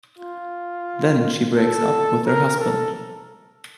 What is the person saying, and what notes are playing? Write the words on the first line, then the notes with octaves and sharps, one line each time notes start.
Then she breaks up with her husband.
F4
A4
A#4
A4